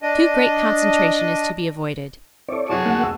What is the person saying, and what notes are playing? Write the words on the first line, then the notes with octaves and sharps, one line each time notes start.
Too great concentration is to be avoided.
D4 D#5
C4 E4 A4 C#5 D5
C3 E3 F#3 F#4 G#4 A5
D2 A#3 D#4 F#5
F1 E6